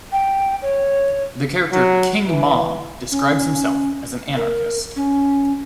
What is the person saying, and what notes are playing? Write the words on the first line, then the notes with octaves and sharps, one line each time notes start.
The character "King Mob" describes himself as an anarchist.
G5
C#5
F#3
E3
C#4
A#4
C#4